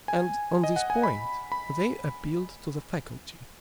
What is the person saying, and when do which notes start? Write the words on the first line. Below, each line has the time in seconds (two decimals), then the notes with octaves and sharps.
And on this point, they appealed to the Faculty.
0.08 G#5
0.64 D#5
0.76 F#5
0.90 G#5
1.03 B5
1.52 B5